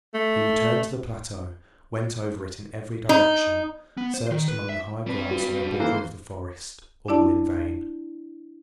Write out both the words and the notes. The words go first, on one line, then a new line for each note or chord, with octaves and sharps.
He returned to the plateau, went over it in every direction, searched among the high grass on the border of the forest, all in vain.
A3
D#4
B3
C5
D#3
B4
E5
G3 C4 B4
F#4
E3 A#3 A4 C5
D4 E4 D5 A5